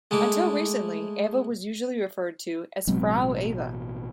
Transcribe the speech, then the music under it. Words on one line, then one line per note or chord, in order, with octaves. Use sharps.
Until recently, Ava was usually referred to as "Frau Ava".
G#3 A3 E4 D6
A1 B2 F#3 G#3 C4